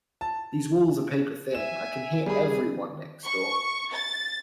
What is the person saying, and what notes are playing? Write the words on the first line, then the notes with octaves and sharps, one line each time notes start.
These walls are paper thin, I can hear everyone next door.
A5
E5 G#5 E7
G3 G#4 B5
C#6
A6